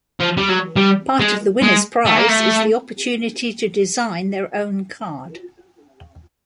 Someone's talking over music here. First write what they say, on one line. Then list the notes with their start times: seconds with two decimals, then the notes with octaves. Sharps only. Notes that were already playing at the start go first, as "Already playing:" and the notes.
Part of the winner's prize is the opportunity to design their own card.
0.20 F3
0.37 G3
0.49 F#3
0.76 G3
1.20 G#3
1.62 G#3
2.06 A3
2.18 A#3
2.29 A3